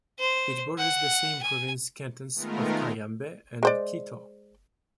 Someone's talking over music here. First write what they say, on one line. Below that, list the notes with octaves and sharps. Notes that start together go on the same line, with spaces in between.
It borders the same-province cantons of Cayambe and Quito.
C5
F#5
G#5
D#3 G#3 A3 B3 F4 A#4
G#3 C5 D5